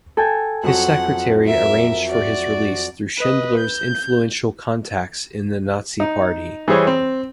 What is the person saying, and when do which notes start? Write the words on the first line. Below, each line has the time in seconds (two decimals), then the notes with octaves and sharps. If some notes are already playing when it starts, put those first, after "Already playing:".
His secretary arranged for his release through Schindler's influential contacts in the Nazi Party.
0.17 A4 G5 G#5
0.63 F2 F#3 F#5 C#6
1.46 A#4 E5
2.06 F#4 D5
3.18 B4 D#5
3.57 G6
6.00 D#4
6.68 E3 G3 G#4 C5 C#5
6.87 C4